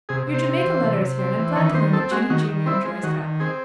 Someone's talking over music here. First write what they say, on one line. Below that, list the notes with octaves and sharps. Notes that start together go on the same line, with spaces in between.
Your Jamaica letter is here, and I'm glad to learn that Judy, Junior, enjoys traveling.
C3 G#4
C3
C5
C4
C5
E3
C3
C3
C4
E3
D#3 C#5
D#3 C5
C4 A4
G#3 F#4
D#3 F#4
D#3
C4 E4
G#3
D#3 F#4
D#3
C4 G#4